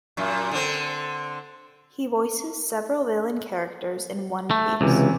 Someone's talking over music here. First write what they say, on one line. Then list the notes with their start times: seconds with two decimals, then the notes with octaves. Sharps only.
He voices several villain characters in "One Piece".
0.17 F#2 A#2
0.51 D3 C4
4.51 A3
4.81 C#2 C3 E3